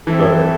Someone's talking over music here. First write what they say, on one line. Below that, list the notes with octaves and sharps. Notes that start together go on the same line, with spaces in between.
Go there.
E3 C4 E4 A4